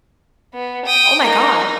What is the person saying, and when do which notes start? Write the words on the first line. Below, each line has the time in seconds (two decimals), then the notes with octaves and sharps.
Oh, my god.
0.54 B3
0.86 G5 D#6
1.22 A#3 D#4